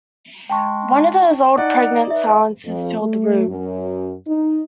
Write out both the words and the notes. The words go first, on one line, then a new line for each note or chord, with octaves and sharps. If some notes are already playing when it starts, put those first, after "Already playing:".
One of those old pregnant silences filled the room.
G#3 G5 A5 C#6
D#4 D5 F#5
B4 E5
F2
A3
F#2
D#4